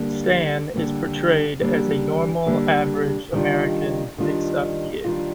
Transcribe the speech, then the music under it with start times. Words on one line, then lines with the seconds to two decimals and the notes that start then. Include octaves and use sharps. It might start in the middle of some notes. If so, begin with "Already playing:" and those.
Stan is portrayed as "a normal, average, American, mixed-up kid".
Already playing: D3 G3 A#3
0.74 D3 G3 A#3
1.60 D3 G3 A#3
2.46 D3 G3 A#3
3.33 D#3 G3 D4 F4
4.18 D#3 G3 D4 F4
5.04 D#3 G3 D4 F4